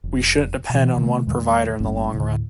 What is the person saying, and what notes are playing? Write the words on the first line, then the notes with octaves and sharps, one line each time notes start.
We shouldn’t depend on one provider in the long run.
F1
B2 E3
C3 D#3 F#3 A3
E2 A#2 D#3 G#3
G1 G2 A#3 C#4
D2 A2 C#3